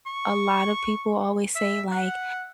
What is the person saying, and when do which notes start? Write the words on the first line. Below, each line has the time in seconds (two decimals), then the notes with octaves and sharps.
a lotta people always say, like
0.06 C#6
1.55 E5
1.92 F#5